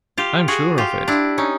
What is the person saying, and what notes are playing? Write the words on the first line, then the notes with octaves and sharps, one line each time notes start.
"I am sure of it."
F4 G4
F#4 G#4
F4 G4
D4 E4
C#4 D#4